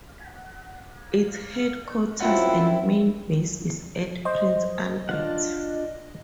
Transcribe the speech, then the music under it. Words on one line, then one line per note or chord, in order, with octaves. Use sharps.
Its headquarters and main base is at Prince Albert.
F#2 F#3 C4 E4 F4 F#5
C5 D#5
D4 F4 F#5